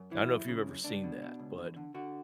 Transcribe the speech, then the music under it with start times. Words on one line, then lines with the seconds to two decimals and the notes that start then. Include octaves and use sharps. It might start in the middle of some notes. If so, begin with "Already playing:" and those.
I don't know if you've ever seen that, but
Already playing: F#2
0.11 E3 E4
0.30 F#2
0.48 C#3
0.67 F#2
0.84 C#2 D4
1.03 B2
1.22 B2
1.39 C#2
1.58 E2
1.76 D3
1.94 D3 F#4